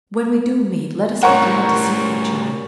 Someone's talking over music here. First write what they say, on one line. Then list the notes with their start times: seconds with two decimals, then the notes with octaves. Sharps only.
When we do meet let us be glad to see each other.
1.23 A2 G3 A#4 C5 C#5 F#5 C#6